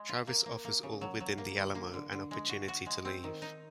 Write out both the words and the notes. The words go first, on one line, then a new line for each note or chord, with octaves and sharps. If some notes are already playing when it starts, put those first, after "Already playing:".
Travis offers all within the Alamo an opportunity to leave.
Already playing: G#3
F4
A#3
A#3
A#3
C#3
F#3
F#3
A#3
D3
A#3
D3
D3
G#3
F#4
F#4
G#3
C4
D#3
D#4